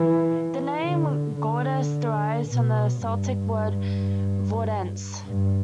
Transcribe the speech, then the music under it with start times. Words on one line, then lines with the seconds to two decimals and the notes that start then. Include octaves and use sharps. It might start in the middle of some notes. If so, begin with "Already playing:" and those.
The name "Gordes" derives from the Celtic word "Vordense".
Already playing: E3
0.81 D3
1.36 D3
2.48 B2
3.03 G2
5.25 G2